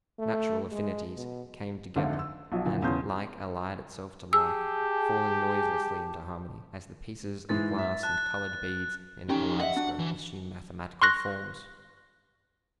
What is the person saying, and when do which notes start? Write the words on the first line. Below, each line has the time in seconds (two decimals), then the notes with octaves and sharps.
Natural affinities came together, and like allied itself to like, falling noiselessly into harmony, as the pieces of glass and coloured beads in a kaleidoscope assume mathematical forms.
0.19 A3
0.72 G#3
1.17 B2
1.96 G#1 D2 D3 A4 E5 F5
2.19 E6
2.52 B1 F3 F#3 D#5
2.66 A#2 D3 E3
2.82 E1 E2 C#3 C#4 C6 G6
4.33 G4 G#4 A5 E6
7.49 G#2 E3 G#3 A6
7.78 E5
8.03 A5 F#6
9.30 F3 C#4 D#4 G4
9.60 D#5 E5 F#5
9.76 D4 F#4
9.99 E3
11.02 C6 C#6 F6 F#6 A#6